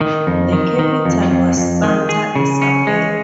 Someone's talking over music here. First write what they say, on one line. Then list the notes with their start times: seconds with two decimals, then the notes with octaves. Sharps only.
The capital was Santa Isabel.
0.01 D#3
0.27 F2
0.53 D#3
0.79 D#3
1.05 F2
1.31 F2
1.57 F2
1.83 D#3
2.09 G#4
2.36 C#3
2.62 C#4
2.87 G#3